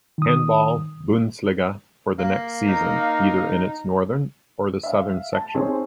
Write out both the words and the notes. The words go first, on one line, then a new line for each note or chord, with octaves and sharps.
Handball-Bundesliga for the next season, either in its northern or the southern section.
D#3 D#6
A#3
D#4
E5 F5
A5
C4 C#4 D#4 G#4